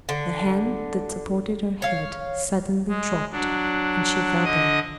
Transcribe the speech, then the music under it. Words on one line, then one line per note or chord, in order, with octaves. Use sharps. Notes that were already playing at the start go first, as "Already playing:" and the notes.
The hand that supported her head suddenly dropped, and she fell back.
D3
C#5 F5
G#3
F#3 D4
D3 D#5 D#6